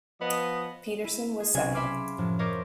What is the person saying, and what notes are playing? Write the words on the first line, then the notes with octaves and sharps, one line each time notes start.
Peterson was second.
F3 B3 D#5
E4
G#4
B1 C3 C4 C#4 G#5 G#6
E5 F5 B5 C6 D6 F6
F#2 A2 F3
A#4 C5 C#5 D#5 E5 D6